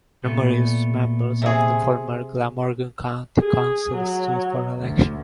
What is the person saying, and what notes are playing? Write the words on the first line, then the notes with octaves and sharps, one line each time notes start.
Numerous members of the former Glamorgan County Council stood for election.
A#2 A3 B3
C3 G#4
G#4
F#3
D2